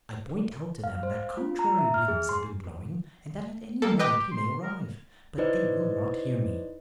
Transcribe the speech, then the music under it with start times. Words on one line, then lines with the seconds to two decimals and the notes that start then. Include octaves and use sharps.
I point out to them that contrary winds have been blowing, and that at any moment he may arrive; but they will not hear me.
0.84 F5
1.03 C5
1.37 F4
1.59 A#5
1.79 E5
1.94 F6
2.08 G#4
2.29 C6
3.82 G3 A#3 A4
3.99 G4 B4 D#5 G5
4.31 C6
4.63 A#4
5.38 D#4 E4 B4 C5 D5 D#5